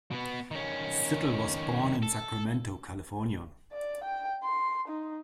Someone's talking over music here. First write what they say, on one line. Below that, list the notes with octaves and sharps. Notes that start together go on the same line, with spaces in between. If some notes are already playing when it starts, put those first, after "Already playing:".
Zettel was born in Sacramento, California.
B2 B3
D#3 C#4
A4
D5
G5
C6
D#4